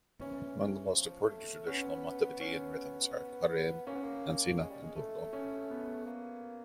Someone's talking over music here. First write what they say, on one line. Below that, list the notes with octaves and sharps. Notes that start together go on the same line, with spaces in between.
Among the most important and traditional Montevidean rhythms are: Cuareim, Ansina and Cordon.
E3 C#4
F3
A3
B3 C#4
B3 C#4
A#3 C#4
B3
A#3
G#3
G3
G#3
A3
C#4
B3
A#3